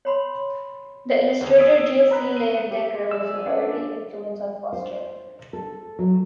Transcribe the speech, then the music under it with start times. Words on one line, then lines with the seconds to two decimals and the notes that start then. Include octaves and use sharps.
The illustrator J. C. Leyendecker was an early influence on Foster.
0.05 C#5 B5 C6
1.41 D#2 D3 G#4
1.58 D#6 E6 G#6 B6 D7 D#7
2.11 A#5 B5 F#6 B6
2.36 D#7
2.71 G4 E5
2.94 G#3
3.11 D5 E6
3.34 F3 G#5
3.46 C#4 D4 B4 F#5
4.73 C5
5.53 A4
5.99 F#3